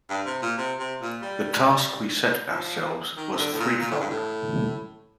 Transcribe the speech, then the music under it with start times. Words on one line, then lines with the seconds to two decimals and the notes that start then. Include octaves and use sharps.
The task we set ourselves was threefold.
0.10 G2
0.26 C3
0.42 A#2
0.58 C3
0.79 C3
1.02 A#2
1.22 G3
2.51 F3
3.17 D#3
3.32 C3
3.38 D3
3.52 A2
3.60 A#2
3.81 A#2
3.91 A2
4.00 G2
4.10 A2